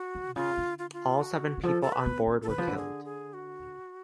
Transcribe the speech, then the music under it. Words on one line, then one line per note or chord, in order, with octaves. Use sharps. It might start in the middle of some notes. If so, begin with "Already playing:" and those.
All seven people on board were killed.
Already playing: F#4
F#3
B2
C#3 F4
D3
F4
F4
F#4
D3
F3 A4
A4
B4
B3
C#4
A4
D3 B4
F3
D3
G#4
G#4
F#4